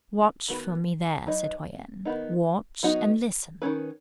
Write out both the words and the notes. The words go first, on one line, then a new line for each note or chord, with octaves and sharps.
Watch for me there, citoyenne, watch and listen. . . .
D#3 B3 F#4 B4
F#3 D#4 B4 D#5
D#3 B3 D#4
F#3 B3 D#4 F#4
D#3 F#3 C#4 B4